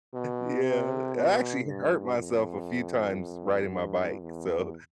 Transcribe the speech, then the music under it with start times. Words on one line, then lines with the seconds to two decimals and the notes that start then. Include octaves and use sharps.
yeah. I actually hurt myself a few times riding my bike. So,
0.14 B2
0.64 C3
1.15 B2
1.67 G2
2.18 F2
3.71 G2
4.22 E2